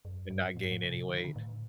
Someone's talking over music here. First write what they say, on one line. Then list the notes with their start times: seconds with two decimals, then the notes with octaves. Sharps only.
and not gain any weight.
0.05 F#2
0.30 G2
0.57 A2
0.64 G2
0.72 A2
0.83 C3
1.09 D3
1.18 D#3
1.24 D3
1.36 A2